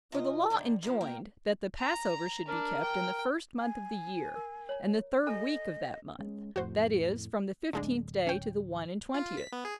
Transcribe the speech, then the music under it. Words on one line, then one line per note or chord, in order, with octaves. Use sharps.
For the law enjoined, that the Passover should be kept in the first month of the year, and the third week of that month, that is, from the fifteenth day to the one-and-twentieth.
C3 F4 D#5
D3 D#3 D4
F#2 F3
A#3 A#4 G5
A#5
D4 A#4
G5
G#5
A#4
C#5 A#5
A4 D#5 G#5 A#5
G#3 C#4
F2 A2 F#4 C5
D1 D3 G#3 D4
C#4 G5
F4
B6
B3
G#4